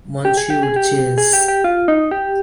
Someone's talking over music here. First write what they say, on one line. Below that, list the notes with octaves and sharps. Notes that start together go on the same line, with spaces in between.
Monsieur chasse!
G4
G#4
G4
G#4
G4
G#4
G4
G4
F4
D#4
G4